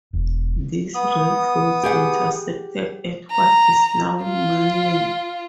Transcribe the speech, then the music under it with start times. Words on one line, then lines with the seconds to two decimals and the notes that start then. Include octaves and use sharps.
These railroads intersected at what is now Manning.
0.13 E1
0.95 B3 D#6
1.83 G4 G#4 F#5
3.31 A#5
4.23 F4